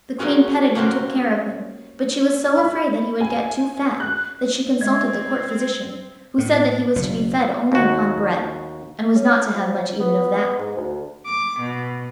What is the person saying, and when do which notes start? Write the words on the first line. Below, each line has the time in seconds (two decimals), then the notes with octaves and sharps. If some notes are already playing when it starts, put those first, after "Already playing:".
The Queen petted and took care of him, but she was so afraid that he would get too fat that she consulted the court physician, who said that he was to be fed only upon bread, and was not to have much even of that.
0.19 C#4 F#4 G#4 A#4 C#5
0.75 A#3 C#4 F#4 G4 A#4 C5
2.57 B5
3.20 G#5
4.00 F#6
4.81 G#3 C4 D#5 E5 G#6
6.38 A2
6.96 F#1 B2
7.72 D#2 F#4
9.15 C#4
9.53 F3
10.00 B3
10.58 G#2
10.77 D2
11.26 D6
11.60 B2